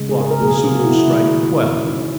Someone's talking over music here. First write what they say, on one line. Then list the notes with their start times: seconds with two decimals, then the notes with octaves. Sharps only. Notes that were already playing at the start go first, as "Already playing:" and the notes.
The clock will soon strike twelve.
Already playing: C#3 G#3
0.09 G#4
0.20 A#4
0.31 A#4
0.42 B2 F#3 A#3 G#4
0.58 G#4
0.75 F#4
0.85 E4
0.96 E4
1.08 D#3 G#3
1.72 C#3 E3 A#3 C#4
1.84 C#4
1.89 D#4